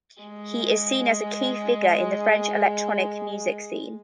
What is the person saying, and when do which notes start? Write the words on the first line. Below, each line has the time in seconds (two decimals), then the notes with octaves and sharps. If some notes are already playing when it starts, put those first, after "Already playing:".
He is seen as a key figure in the French electronic music scene.
0.22 G#3